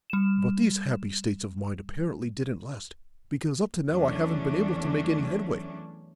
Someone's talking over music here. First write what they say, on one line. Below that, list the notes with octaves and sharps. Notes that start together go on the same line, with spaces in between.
But these happy states of mind apparently didn't last, because up to now I haven't been able to make any headway.
G3 E7
E2 F#3 A3 C#4 D4